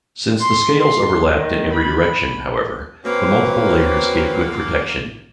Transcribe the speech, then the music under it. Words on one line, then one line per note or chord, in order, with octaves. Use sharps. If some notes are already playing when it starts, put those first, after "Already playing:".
Since the scales overlapped in every direction, however, the multiple layers gave good protection.
C6
C6
D#3
B5
F#2 A#3 C4 B4 C#5